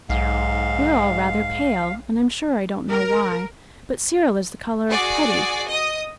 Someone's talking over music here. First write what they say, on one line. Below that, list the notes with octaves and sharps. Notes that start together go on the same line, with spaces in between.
We're all rather pale, and I'm sure I don't know why, but Cyril is the colour of putty.'
B1 G#2 F5
A#4
F#4 G#4 D5
D#5 D#6